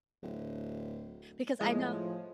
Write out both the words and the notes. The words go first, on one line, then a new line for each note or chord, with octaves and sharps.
because I know
D1
A2 F3 G#3